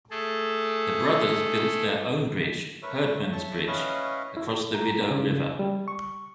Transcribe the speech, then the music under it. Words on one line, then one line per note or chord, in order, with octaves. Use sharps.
The brothers built their own bridge, Hurdman's Bridge, across the Rideau River.
A3 G#4 A4
A#4 B4 C#5 E5
C#5 E5 A5 C#6
C#4 E4 B4 C#5 D#5 F5
E4
A#5
C#3
G3
C#6